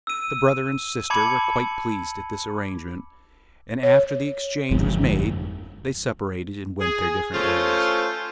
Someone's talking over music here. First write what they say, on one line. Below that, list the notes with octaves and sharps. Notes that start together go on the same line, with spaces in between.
The brother and sister were quite pleased at this arrangement, and after the exchange was made they separated, and went their different ways.
E6 D#7
A5 B5 D6 G#6 C#7 F#7
C#5
G1 F2 G#2
G#4
A3 C#4 F4 A4 C5